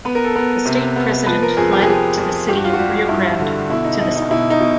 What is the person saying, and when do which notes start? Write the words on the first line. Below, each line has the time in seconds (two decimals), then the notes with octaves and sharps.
The state president fled to the city of Rio Grande, to the south.
0.05 B3 B4
0.15 A#4
0.25 A4
0.36 B3 A#4
0.66 C3
0.96 B3
1.26 F3 B4
1.43 A#4
1.57 F2 G#4
1.73 G4
1.82 G#4
1.87 F3 G4
2.18 F2
2.48 G2 G4
2.57 F#4
2.65 F4
2.73 F#4
2.79 G3
3.09 G2 E4
3.39 D3
3.69 B2 E4
3.85 D#4
4.00 B2 D#4
4.16 D#4
4.31 B2 E4
4.50 D#4
4.60 B2